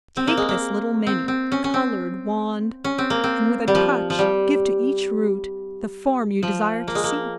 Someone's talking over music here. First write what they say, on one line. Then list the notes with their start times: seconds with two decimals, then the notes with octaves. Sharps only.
Take this little many-coloured wand, and with a touch give to each root the form you desire to see.'
0.17 C4
0.27 A#3
0.37 G#3
0.49 A#3
1.07 C4
1.28 C4
1.52 C#4
1.64 C#4
1.74 C4
2.84 C#4
2.98 C4
3.10 A#3
3.24 C4
3.68 G3
3.75 F3
4.10 F3
4.19 G3
6.43 F3
6.88 A#3
6.95 G#3
7.04 A#3